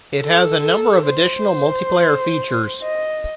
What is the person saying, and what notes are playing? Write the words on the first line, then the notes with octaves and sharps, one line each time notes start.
It has a number of additional multiplayer features.
A4
C5
D#5